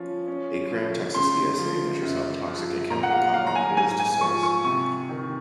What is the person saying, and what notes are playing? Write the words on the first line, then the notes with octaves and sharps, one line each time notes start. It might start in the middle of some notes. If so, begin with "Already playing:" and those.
A cytotoxicity assay measures how toxic a chemical compound is to cells.
Already playing: F3 C#4
C#4
F3
C#3 C6
F3
F#2
F3
A#2 A#5
F#5
F5
F#3 F5
A#5
G#5
G#2 G#5
G#5
F3 C#6
C#6
C3 C#6
D#3